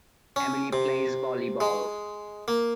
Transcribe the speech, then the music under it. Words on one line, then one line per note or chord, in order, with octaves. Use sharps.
Emily plays volleyball.
C#4
C3
G#3
A#3